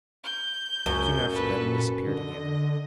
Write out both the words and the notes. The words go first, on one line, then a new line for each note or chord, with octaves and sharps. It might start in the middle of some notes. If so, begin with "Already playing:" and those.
Soon after that he disappeared again.
G6
C#2 F#2
A#2 A4 B4
D3 D#5